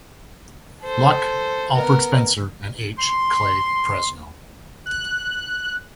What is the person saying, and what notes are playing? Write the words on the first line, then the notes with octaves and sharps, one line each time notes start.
Luck, Alfred Spencer and H. Clay Presnell.
A4 C5
B3 A#4
C6
F#6